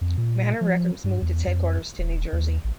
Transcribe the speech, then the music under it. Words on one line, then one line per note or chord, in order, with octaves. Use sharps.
Manor Records moved its headquarters to New Jersey.
F2
A#2
F3
G2
E2
F2
D#1
D#2
A1